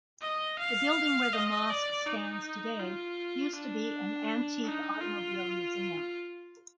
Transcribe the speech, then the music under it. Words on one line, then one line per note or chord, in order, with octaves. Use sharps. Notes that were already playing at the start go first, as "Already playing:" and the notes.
The building where the mosque stands today used to be an antique automobile museum.
D#5
F5
D#5
D5
D#4
F4
D4
D#4
F4